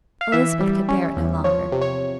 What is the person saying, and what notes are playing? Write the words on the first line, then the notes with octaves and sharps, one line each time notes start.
Elizabeth could bear it no longer.
F5
E3 E5
G3
C#4
E2
F3 C#5
C3
C#5